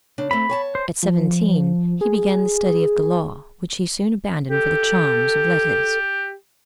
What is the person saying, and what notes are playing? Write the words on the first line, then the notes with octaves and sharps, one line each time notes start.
At seventeen he began the study of the law, which he soon abandoned for the charms of letters.
C#3 D4
A3 C4 B5
C#5 G#5 A5
C5
F3
G#4
G4 A4